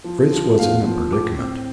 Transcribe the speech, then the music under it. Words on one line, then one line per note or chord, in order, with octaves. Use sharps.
Fritz was in a predicament.
F3
F3
E2 F5
F3
A2 D6
C4